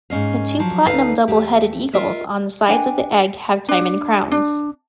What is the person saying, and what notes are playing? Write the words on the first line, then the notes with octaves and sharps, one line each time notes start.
The two platinum double-headed eagles on the sides of the egg have diamond crowns.
G#2 C#4 D#5 F5
F3 F#3
D2 D#4 A4 B4 F5
E2 A3 G4
F4 A#4 D#5 E5
D4 B4 G5 G#5
D4
D4